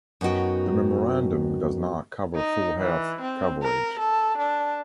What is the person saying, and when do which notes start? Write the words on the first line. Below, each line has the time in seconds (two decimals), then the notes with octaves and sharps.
The memorandum does not cover full health coverage.
0.21 F#2 B3 D#4 F#4 G5
2.35 D#4
2.79 E3
3.21 C4
3.63 A#4
4.00 A4
4.38 D4